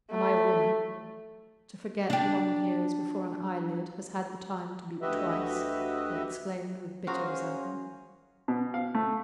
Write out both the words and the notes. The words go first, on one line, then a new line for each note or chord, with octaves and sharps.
"Am I a woman, to forget long years before an eyelid has had the time to beat twice?" he exclaimed, with bitter resentment.
A3
D4 G4
D2 F#4 G4 B4 D#5 E5
C#4 F#4 G#4 A#4 C5 F5
B2
F5
A3